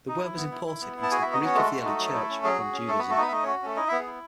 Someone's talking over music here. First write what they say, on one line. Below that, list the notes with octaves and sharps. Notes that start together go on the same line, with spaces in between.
The word was imported into the Greek of the early Church from Judaism.
D#4
E4
B3
E4
E4
B3
E4
A5
F#4 G#4 G#5
B3 E4 E5
D#4 D#5
C#4 F#4 C#5
G#3 A3 A4
F#4
D#4
F#3
E4
C#4
F#3 G#4
F#4
C#4
A3 A4
B3 F#4 B4
A3 A4
B3 D#4 B4
E5
A3 D#4 D#5
C#4 F#4 C#5
A3 C#4 A4
D#4 E4 D#5
B3 E4 E5
G#4
E4